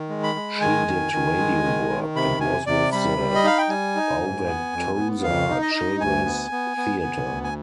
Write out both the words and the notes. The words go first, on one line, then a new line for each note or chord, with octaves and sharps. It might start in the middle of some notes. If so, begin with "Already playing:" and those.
She did radio work and was with the Wauwatosa Children's Theatre.
Already playing: D#3
G#3
B5
G#3
D#3 G#5
D#3
D#3
G#3
D#3
D#3
C3 B5
C3 G#5
C3 D5
G3 B5
G3
D#5
D#4 F5
G5
G3 G#5
D#4
G#2
B3
F2
B3
F2 F5
D#4
D#5
D#4
D2 G#5
B3
B3
B3
B3
D2
G#5